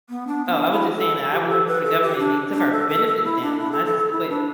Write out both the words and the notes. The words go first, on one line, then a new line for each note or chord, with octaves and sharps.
Oh, I was just saying that I was working for the government and they took our benefits down and I just quit.
B3
D4
B3
D4
E4
A4
G4
A4
B4
A4
G4
D4
D4
A4
A4
A4
E4
D4
E4
A4
A4
A4
E4
D4